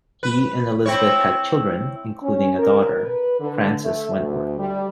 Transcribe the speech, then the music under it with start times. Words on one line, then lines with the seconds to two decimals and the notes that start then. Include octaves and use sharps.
He and Elizabeth had children, including a daughter, Frances Wentworth.
0.23 B4
0.86 C4 E4 C#5
2.23 C#4
2.58 A#4
3.00 B4
3.40 D3
3.84 A3
4.16 D2
4.58 G3